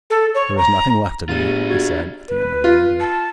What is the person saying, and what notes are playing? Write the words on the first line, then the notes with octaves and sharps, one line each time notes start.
"There is nothing left of me," he said at the end of the interview.
A4
C#5
A#5
A2 B3 D4 F4 G4 G#4 D#7
F#4 G#6
B4
F4
A5